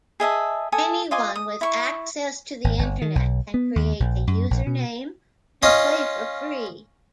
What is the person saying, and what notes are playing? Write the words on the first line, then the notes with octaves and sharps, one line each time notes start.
Anyone with access to the Internet can create a username and play for free.
G#4 D#5 E5 A5
A4 G#5 D#6
F4 D#5 G#5 D6
D#6
E4 C#6
G#1
G1
D#3
B1
B3
D#2
A#1
F#2
A#1
B2
C#4 F4 D#5